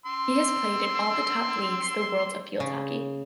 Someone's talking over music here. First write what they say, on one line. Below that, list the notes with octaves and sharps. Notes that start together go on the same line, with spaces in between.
He has played in all the top leagues the world of field hockey.
C6 E6
C#3